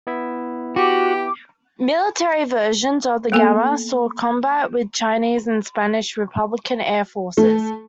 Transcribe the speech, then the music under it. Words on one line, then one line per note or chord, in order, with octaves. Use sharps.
Military versions of the Gamma saw combat with Chinese and Spanish Republican air forces.
B3 E4 E5
F#4 G4 D6
A#3 B3 A4 G#5
A3